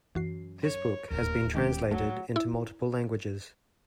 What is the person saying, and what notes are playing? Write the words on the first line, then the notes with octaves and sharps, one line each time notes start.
This book has been translated into multiple languages.
F#2 E3 F#4 C7
C#5
D1 D#2 A#4
D#3 G#3 C#4 G4
F#3 A3
E4